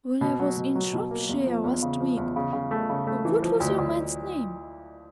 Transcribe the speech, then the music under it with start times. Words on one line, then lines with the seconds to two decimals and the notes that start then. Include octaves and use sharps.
When I was in Shropshire last week---- What was your man's name?
0.21 B2
0.40 F#3
0.57 B2
0.75 F#3
0.93 B2
1.11 A#3
1.29 E2
1.47 F3
1.64 E2
1.82 C#3
2.01 F3
2.17 E2
2.36 C#3
2.53 C#3
2.71 A3
2.90 C#3
3.07 A3
3.25 E3
3.43 F3
3.60 D2
3.78 D2